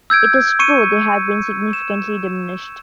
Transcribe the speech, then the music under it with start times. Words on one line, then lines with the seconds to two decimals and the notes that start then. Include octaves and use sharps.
It is true they have been significantly diminished.
0.10 E6 G6 G#6 D7
0.59 C#6 C#7 D#7
1.73 E7